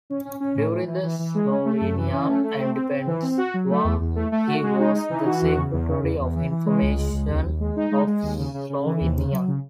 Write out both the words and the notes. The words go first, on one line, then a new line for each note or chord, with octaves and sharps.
During the Slovenian Independence War he was the Secretary of Information of Slovenia.
C#4
C#4
C#4
A2
E3
E3
E3
E3
G#3
C#4
A3
F#2
E3
C#4
A3
A3
C4
C4
C4
E3
C4
F#4
F#3
A3
E2
E2
A3
A3
F#4
G#3
D#4
D#4
E3
F#4
E2
C#3
E2
C#3
E2
E2
E3
E3
G#3
C#2
G#3
C#2
D#2
D#2
G#3
D#4
G#3
G#3
D#2
C#3
C#3
C#3
E3
D#2
C#3
F#3
C#3